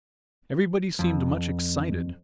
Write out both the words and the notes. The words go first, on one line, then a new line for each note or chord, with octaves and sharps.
Everybody seemed much excited.
F2